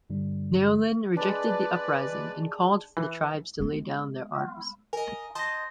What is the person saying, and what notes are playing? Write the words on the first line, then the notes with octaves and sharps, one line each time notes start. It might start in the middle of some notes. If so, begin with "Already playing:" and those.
Neolin rejected the uprising, and called for the tribes to lay down their arms.
G2 D3 G3 D4
G#3 D4 B4 D5
E3
G#3 B3
A#4 D#5 G#5
C5 D#5 A5 C6 A#6